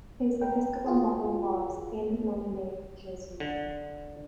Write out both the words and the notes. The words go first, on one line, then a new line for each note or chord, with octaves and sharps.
His episcopal motto was "In nomine Jesu".
A#4 B4 G5
F4 F#4 G#4
D3